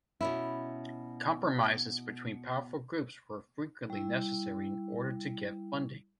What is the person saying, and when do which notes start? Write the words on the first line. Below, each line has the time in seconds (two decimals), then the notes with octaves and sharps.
Compromises between powerful groups were frequently necessary in order to get funding.
0.21 B2 C#4 E4
3.90 G3 E4